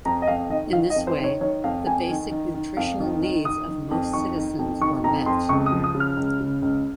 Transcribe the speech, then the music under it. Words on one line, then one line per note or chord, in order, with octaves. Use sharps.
In this way, the basic nutritional needs of most citizens were met.
F2 A#5
D#5
F2 F5
D#3 D#5
D#3 F5
D#5
F2
C5
D#3
C#5
D#3 C#5
F2 F5
F2 G#5
D#3
D#3
D#3
F2 F5
D#3
D#3
D#3 D#6
D#3
F2
D#3 C#6
D#3
F2
D#3 C#6
F2 A#5
F2 C6
C#2 C#6
D#6
F3
D#6
C#3
F6
C#2
C#3
C#2